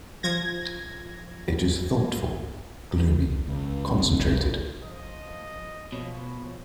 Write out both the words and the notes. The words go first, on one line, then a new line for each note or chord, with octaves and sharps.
It is thoughtful, gloomy, concentrated.
F3 G#6 A#6
C#2
F1
F3 D#5
B2 F3 C#5